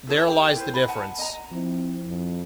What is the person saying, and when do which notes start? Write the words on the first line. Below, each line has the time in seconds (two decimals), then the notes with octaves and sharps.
There lies the difference.
0.07 E4 G#4 A4 C#5
0.28 G4 A#4 G5
0.55 E4 B4 C5
0.74 B5
0.88 D#5 F#5 G#5 A5
1.18 D#5 A#5
1.51 F3 C4 E4
2.07 F2